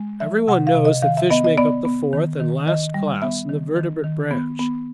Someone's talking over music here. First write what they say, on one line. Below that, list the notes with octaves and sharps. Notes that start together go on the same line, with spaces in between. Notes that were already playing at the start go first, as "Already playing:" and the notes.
Everyone knows that fish make up the fourth and last class in the vertebrate branch.
Already playing: G#3
F3 E5
C3 F#5
F5
C3
D#5
D#3 F5
E5
B3 D#5
D#5
B3 D5
B3
D#3
D#3
D#3 D#5
G3
B3 E5
D#3
D#3
D#3
B3
B3